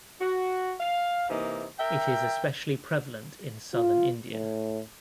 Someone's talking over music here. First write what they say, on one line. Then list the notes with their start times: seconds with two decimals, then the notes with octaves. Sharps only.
It is especially prevalent in southern India.
0.21 F#4
0.80 F5
1.29 C3 E3 A#3 D#4
1.79 A#4 E5 G5
3.74 F4
4.30 A2